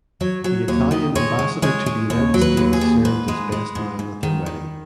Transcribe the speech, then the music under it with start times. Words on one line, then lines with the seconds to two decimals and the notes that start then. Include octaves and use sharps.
The Italian ambassador to the United States served as best man at their wedding.
0.21 F#3 C#5
0.44 F#3 C#5
0.68 D#2 C#5
0.91 D#3 D#5
1.15 G#3 C#5
1.39 G#3
1.62 G#3 C#5
1.86 G#3
2.10 D#2 C#5
2.34 F#3
2.41 B4
2.57 D#2
2.73 G#4
2.81 D#2
3.05 G#2 B4
3.28 G#3
3.52 G#3
3.75 G#2
3.99 G#2
4.23 D#3
4.46 D#3